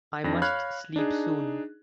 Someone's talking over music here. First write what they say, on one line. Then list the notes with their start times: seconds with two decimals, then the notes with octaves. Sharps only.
I must sleep soon.
0.24 F2 D4 A#6
0.42 C#5 F5 B5 F6 F#6 G#6
0.96 D4 D#4 G#4